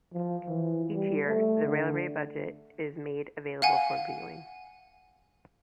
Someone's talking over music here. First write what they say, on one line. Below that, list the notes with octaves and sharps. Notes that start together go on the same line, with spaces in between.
Each year, the railway budget is made available for viewing.
F3
E3
G3
A3
D3
F5 F#5 G#5